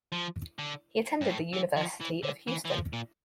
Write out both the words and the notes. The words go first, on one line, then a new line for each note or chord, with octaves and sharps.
He attended the University of Houston.
F3
D3
G2
A2
E3
F3
E3
D3
E3
E3
F3
A#2